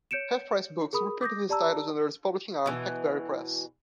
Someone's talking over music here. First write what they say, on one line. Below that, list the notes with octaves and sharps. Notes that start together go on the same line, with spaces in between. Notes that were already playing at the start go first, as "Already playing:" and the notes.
Half Price Books reprints these titles under its publishing arm, Hackberry Press.
C#5 G6 C#7 D7 E7
G#4 A#4 B5 D#6
D6 D#6 G6 A#6
G4 D5 A5 A#5 E6
B2 E3